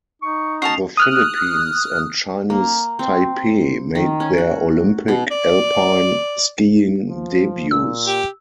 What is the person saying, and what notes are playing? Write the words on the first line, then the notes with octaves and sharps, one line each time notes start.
The Philippines and Chinese Taipei made their Olympic alpine skiing debuts.
D#4 C#6
C#4 F#4 D#5 A5 C7 F7
D#6 F6 F#6
A#3
C4
D#3
C#4
F#4
B2
D5
F3
A#2 E6
G4